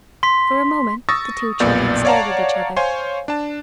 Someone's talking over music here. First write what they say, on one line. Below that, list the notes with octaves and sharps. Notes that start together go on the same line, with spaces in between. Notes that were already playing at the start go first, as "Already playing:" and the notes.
For a moment the two children stared at each other.
C6 B6
C#6 D#6 E6 A6 A#6
B1 F2 A#2 B3 D5 G6
C#5 D5 F5 F#5 A5 A#5
C5 C#5 F5 G#5 C6
D4 A5